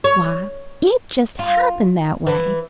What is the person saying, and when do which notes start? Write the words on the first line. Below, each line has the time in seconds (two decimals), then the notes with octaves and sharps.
Why, it just happened that way.
0.04 C#5
1.39 F4
2.27 E3